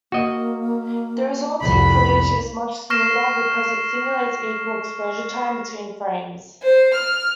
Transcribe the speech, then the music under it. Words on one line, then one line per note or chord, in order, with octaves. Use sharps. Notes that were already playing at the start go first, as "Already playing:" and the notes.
The resulting footage is much smoother because it simulates equal exposure time between frames.
A#3 F#4 D#5
C2 F2 B5
C#6 F6 A#6 C7 E7
C5
F6